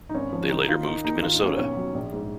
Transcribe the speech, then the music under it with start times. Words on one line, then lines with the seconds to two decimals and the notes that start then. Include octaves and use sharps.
They later moved to Minnesota.
0.09 D#4
0.14 G#1 C#4
0.33 F3
0.50 D#3 D#4
0.61 D#4
0.68 D#3 F4
0.87 D#3 D#4
1.04 D#2 D#4
1.22 D#3 F4
1.34 D#4
1.40 D#2
1.47 C#4
1.58 B1 C#4
1.76 F#3
1.94 A#1
2.12 G#2